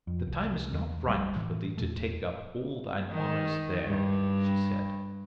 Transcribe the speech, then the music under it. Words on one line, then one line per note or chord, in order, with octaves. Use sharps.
"The time is not ripe for thee to take up all thine honors there," she said.
F2
C2
E2
A#1 G3
A2 E3
E2 A#2 A3
D#3
G2